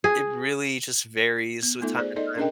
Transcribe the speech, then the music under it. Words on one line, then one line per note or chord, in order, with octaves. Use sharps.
it really just varies with time to time.
G#4
B3
A3 B3 D#4 F4 A4 E5
G#4 C5 D5
D#4 A4 D5 D#5
C#4 D4 G#4 A#4 D#5 G5